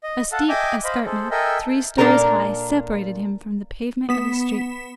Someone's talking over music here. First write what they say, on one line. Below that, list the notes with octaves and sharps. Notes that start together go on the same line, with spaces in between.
A steep escarpment three stories high separated him from the pavement of the street.
D#5
A4 F5 F#5 A5
D#5 E5 G5 G#5 D6 D#6
C5 D#5 F5 B5
G#4 A4 C5
A4 A#4 D#5 E5 G5 G#5
A#2 D4 A4 A#4 A#5
B3 B6 E7